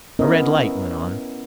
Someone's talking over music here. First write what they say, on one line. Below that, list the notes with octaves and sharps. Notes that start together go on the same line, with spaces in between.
A red light went on.
B3 C#4 E4 A#4 D#5